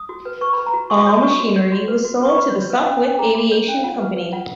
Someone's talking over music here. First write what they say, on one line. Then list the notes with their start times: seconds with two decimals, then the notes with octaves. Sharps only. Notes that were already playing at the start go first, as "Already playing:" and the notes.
All machinery was sold to the Sopwith Aviation Company.
Already playing: D#6
0.09 F#4
0.25 B4
0.41 B4 C#6
0.53 B4 B5
0.66 A#5
0.74 F#4
0.90 F#4 C#6
1.06 C#5 D#6
1.16 B5
1.23 F#4 C#6
1.40 F#4
1.56 C#5
1.72 F#4
1.88 B4
2.04 F#4
2.21 B4
2.29 C#6
2.37 B4 B5
2.50 C#5
2.54 F#4
2.62 C#5
2.70 B4 F5
2.86 C#4 F#5
3.03 C#4 G#5
3.19 G#4 A#5
3.35 G#4 B5
3.51 C#5
3.68 C#4
3.77 F5
3.83 F4 F#5
4.00 B4
4.17 B4
4.32 F4 F#5